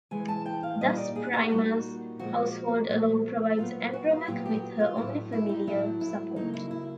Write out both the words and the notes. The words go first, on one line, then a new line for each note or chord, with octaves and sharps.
Thus Priam's household alone provides Andromache with her only familial support.
C3 E3 G#3 G#5
A5
G5
F5
A#2 G3 A#3 D#4 D#5
D5
G#4
F#4
A#2 G3 A#3 D#4
A#2 F3 G#3 F#4
A#2 F3 G#3
A#2 F#3 B3 F4
F#4
F4
A#2 F#3 B3 G4
G4
F4
A2 F#3 A3 E4
E4
D#4
A2 F#3 A3 E4
E4
C#3 F#3 A#3 D#4
E4
E4